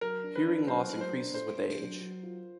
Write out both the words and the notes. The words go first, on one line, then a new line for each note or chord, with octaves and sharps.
Hearing loss increases with age.
F#3 A#4
D4
B4
D4
F#3 C5
F#3
C5
D4
A3 C5
D4
F#3
F#3
F4